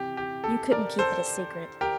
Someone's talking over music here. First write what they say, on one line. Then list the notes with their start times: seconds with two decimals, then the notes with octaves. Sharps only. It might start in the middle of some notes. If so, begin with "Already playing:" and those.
You couldn't keep it a secret.
Already playing: C3 E3 G4
0.17 G4
0.44 A4
0.71 A#4 D5
0.99 A4 C5
1.81 G4 A#4